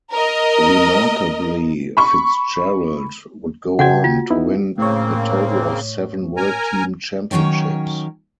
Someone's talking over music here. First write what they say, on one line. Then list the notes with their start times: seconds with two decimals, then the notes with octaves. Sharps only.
Remarkably Fitzgerald would go on to win a total of seven World Team Championships.
0.12 A#4 D#5
1.97 B5 C#6
3.79 C#3 F#4 F#5 G5 G#6
4.04 F4
4.30 B3 D#4 E4
4.78 A2 C#3 A#3 C4 C#5
6.37 A#4 G#5 A#5
7.31 D#3 F#3 C#4 C#5 G5